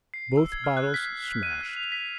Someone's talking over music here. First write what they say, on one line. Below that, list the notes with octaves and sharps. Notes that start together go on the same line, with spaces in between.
Both bottles smashed.
C7
E6
G#6
F6
F#6
B6
D#7
F#6
F7
B6